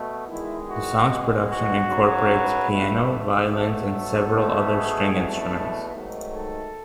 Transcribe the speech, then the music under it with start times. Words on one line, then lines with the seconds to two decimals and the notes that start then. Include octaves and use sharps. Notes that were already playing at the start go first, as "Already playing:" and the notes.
The song's production incorporates piano, violins and several other string instruments.
Already playing: B2 A3
0.28 E2 D#3 G#3 E4
0.68 F#4
1.08 B2 G#3
1.49 F#4
1.88 F#2 C#3 F#3
2.29 B4
2.69 B2 A3
3.50 B2 F#3 A3 A4
3.90 A4
4.30 B2 A3
4.71 G#4
5.11 E2 B2 A3
5.91 G#2 D#3 F#3 A3
6.32 A4